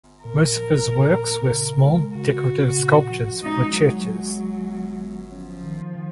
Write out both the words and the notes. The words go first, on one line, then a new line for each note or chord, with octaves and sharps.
Most of his works were small decorative sculptures for churches.
A#2 A#4
F3
A#2
A#2
C#3
G#3
C#3 F#4
C#3
A#2
F3
G#3 D#4
F#3 G#3
F#3 G#3
G#3
B3
B3
F3 C#4
D#3
D#3